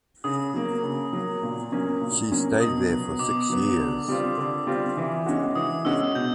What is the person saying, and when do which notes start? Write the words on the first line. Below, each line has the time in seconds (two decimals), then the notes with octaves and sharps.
She stayed there for six years.
0.24 C#3 D#6
0.54 F#3 A#3
0.83 C#3
1.13 F#3 A#3
1.43 A#2
1.72 F#3 A#3 C#4
2.01 A#2
2.31 F#3 A#3 C#4
2.60 B2 D#6
2.90 F#3 B3
3.19 B2 D6
3.50 F#3 B3
3.78 D3
4.08 G3 C4 F4
4.37 D3
4.67 G3 C4 F4
4.97 E3
5.26 G#3 C#4 F#4
5.56 E3 D#6
5.85 G#3 C#4 F#4 E6
6.15 B2 G6